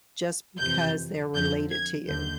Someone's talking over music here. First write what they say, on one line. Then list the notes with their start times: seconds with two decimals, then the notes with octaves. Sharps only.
just because they're related to you.
0.59 F2 C3 E3 G6
1.33 F2 D3 F3 G6
1.71 G#6
2.08 D#2 D3 G6